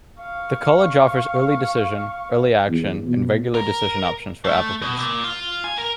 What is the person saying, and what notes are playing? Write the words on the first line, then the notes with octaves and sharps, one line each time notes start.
The College offers Early Decision, Early Action and Regular Decision options for applicants.
F5 C#6
E2
B2
A#4
A3
B2
A#2
F4
G#5
A#4